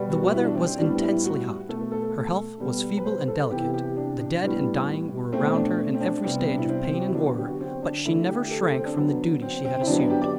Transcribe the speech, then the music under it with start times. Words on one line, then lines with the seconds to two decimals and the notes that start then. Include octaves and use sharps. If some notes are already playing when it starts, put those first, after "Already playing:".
The weather was intensely hot; her health was feeble and delicate; the dead and dying were around her in every stage of pain and horror; but she never shrank from the duty she had assumed.
Already playing: B2 G3 B3
0.10 F#4
0.23 F#4
0.33 E4
0.44 D4
0.55 C4
0.67 C4
0.78 A2 G3 B3 D4
1.01 E4
1.24 F#4
1.69 B2 A3 A4
1.92 A4
2.60 B2 G3 B3
2.97 B4
3.05 C5
3.28 A4
3.51 C3 E3 B3 G4
3.74 G4
3.97 D4
4.19 D4
4.42 A2 G3 B3
5.32 B2 A3 C4
5.55 D4
5.94 C4
6.01 D4
6.24 C3 G3 B3 C4
6.46 D4
6.58 E4
6.69 C4
6.92 G4
6.99 F#4
7.07 E4
7.14 D3 F#3 B3 D4
7.26 F#4
7.37 G4
7.48 F#4
7.60 C4
7.82 D4
8.05 D3 A3 E4
8.28 G4
8.42 G4
8.51 A4
8.62 A4
8.74 C4
8.85 D4
8.96 D3 F#3 B3
9.42 C4
9.65 C4
9.81 E4
9.87 D3 F#3 B3 D4
9.99 D4
10.10 G4
10.22 D5